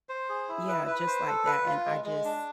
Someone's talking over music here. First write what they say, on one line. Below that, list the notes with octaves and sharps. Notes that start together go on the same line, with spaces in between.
yeah, just like that, and I just
C5
G#4
E4
B4
B4
C5
A4
B4
F4
G#3
G#3
D4